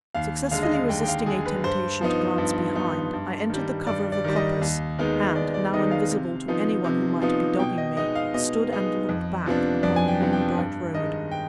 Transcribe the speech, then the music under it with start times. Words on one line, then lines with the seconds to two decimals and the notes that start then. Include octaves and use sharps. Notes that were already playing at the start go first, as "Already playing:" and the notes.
Successfully resisting a temptation to glance behind, I entered the cover of the coppice, and, now invisible to any one who might be dogging me, stood and looked back upon the moon-bright road.
0.14 D#2 F5
0.51 D3 G#3 F5
0.63 D#5
0.73 F5
0.89 D#2 G5
1.02 G5
1.08 F5
1.26 D3 G#3 G#4
1.46 B4
1.64 G2 C5
2.01 F3 B3 D#4
2.38 G2
2.75 F3 B3 D#4
3.13 G2
3.50 D#3 G3
3.87 G2 D5
4.12 D5
4.24 D#3 G3
4.36 D#5
4.61 D#2
4.99 D#3 G#3 B3 D#4
5.35 D#2 D5
5.54 D5
5.73 D#3 G#3 B3 D#4 D#5
5.91 F5
6.11 C3
6.48 F3 B3 D#4
6.84 C3
7.22 F3 B3 D#4
7.59 B2 G5
7.78 D#5
7.96 G#3 B3 D#4 D#5
8.15 F5
8.34 B2 D#5
8.71 G#3 B3 D#4
9.09 F2
9.46 C3 F3 B3 D4
9.83 F2 D5
9.96 G#5
10.08 G5
10.20 C3 F3 B3 D4
10.33 G5
10.58 G2
10.94 D#3 G#3 D#5
11.32 G5